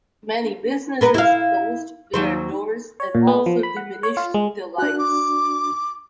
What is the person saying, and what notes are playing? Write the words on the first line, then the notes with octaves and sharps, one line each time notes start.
Many businesses closed their doors and also diminished the lights.
B3 A#4 B4
E4 F5
D#2 F#3 C5
C#5
A#2
B3
F3
B5
F#5
C#5
F4
G#3
D4 F#4 F#6
D6